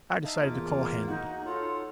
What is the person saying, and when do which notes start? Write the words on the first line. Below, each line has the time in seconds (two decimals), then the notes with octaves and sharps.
I decided to call Hanley.
0.25 D#4 E5 F5 A5
0.39 E2 A#3 F4
1.08 D#4 F#4
1.45 F4 A4 C#5 F#5